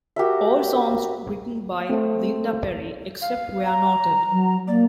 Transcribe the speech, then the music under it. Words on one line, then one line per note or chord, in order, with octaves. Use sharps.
All songs written by Linda Perry, except where noted.
F#4 G4 A#4 E5
A3 C4
F5
A#5
F#3
A#3 D5